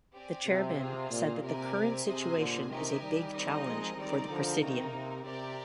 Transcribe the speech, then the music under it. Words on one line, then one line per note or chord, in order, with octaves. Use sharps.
The chairman said that current situation is a big challenge for the presidium.
C4 G4 D5 G#5
C3
C3 C4 F4 G#4 C5 F5
A#2
C3 G4 A#4 D5 G#5
C3 G#4 C5 D#5 G#5
A#2 D3
C3 D#3 G4 A#4 D#5 G#5
D#3 G3
C4 D#4 A#4 D#5
F3 G#3
D#3 G3 C4 D#4 A#4 D5
D3 F3
C3 D#3 A#3 D#4 A#4
C3
C3 C4 G4 A#4 D5 G5